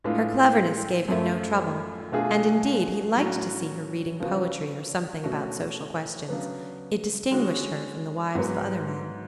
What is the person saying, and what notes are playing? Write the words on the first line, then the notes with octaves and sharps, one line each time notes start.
Her cleverness gave him no trouble, and, indeed, he liked to see her reading poetry or something about social questions; it distinguished her from the wives of other men.
A2 G#3 B3 D4 F4
F#2 F3 A3
B2 A3 D4 F4 G#4
A2 F#3 C#4 F#4
C#3 F3 B3 F#4
B2 A3 C#4 F#4
C#3 F#3 B3 D4
D3 G#3 C#4 F#4
G#2 F#3 B3